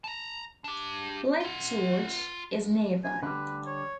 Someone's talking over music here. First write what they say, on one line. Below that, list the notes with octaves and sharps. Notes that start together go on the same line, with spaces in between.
Lake George is nearby.
A5 A#5
D4 G4
F4 F#5
G#5
D3 G3 B4
C#5